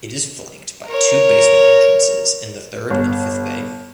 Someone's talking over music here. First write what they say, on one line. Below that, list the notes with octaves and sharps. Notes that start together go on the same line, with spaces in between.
It is flanked by two basement entrances in the third and fifth bay.
A#4 C#5
G1